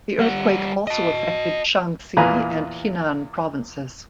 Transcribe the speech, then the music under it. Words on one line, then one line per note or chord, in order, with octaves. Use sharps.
The earthquake also affected Shaanxi and Henan provinces.
G3 F#5
D#5 A5
E2 A#2 F4 B4 G#5 A#5